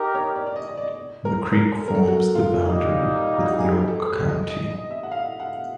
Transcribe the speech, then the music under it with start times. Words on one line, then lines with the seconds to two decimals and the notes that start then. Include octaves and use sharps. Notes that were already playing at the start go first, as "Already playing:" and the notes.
The creek forms the boundary with York County.
Already playing: D#4 G4 A#4
0.15 C#5
0.36 D5
0.47 D5
0.56 D#5
0.68 D#5
0.77 D5
1.25 A#4
1.52 A#4
1.80 A4
1.88 A#4
1.95 A4
2.08 F#4
2.35 F4
2.63 G3 A#3 D#4
3.46 F#4
3.58 G#4
3.66 G4
3.88 A4
4.29 D#5
4.50 D#5
4.70 D#5
4.91 E5
5.03 F#5
5.12 F5
5.40 F#5